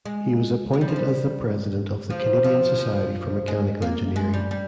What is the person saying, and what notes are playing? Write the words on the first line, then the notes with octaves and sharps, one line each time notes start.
He was appointed as the President of the Canadian Society for Mechanical Engineering.
G#3
G#3
G3
F3
G3
F3
F3
F3
G#3
A#3
G#3
G3
G3